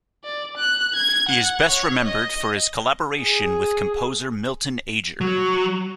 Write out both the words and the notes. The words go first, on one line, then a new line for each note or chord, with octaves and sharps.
He is best remembered for his collaboration with composer Milton Ager.
D5
F#6
G#6
F#5
C#5
D#5
G#4
F#3